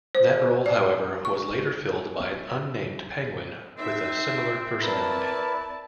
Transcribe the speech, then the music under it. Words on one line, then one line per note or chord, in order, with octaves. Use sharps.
That role however was later filled by an unnamed penguin with a similar personality.
C5
D5
C#6
C4 D#4 E5
C4 E4 A#4 B4 D5 A5